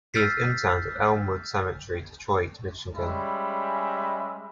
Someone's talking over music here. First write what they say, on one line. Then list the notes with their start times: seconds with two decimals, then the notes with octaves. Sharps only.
He is interred at Elmwood Cemetery, Detroit, Michigan.
0.14 E6 F6 G6 A6 B6 C7
2.96 G3 G#3 C#4 E5 B5